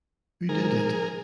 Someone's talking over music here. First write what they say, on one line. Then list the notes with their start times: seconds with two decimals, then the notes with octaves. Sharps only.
Who Did It?
0.49 G#2 G#4 A#4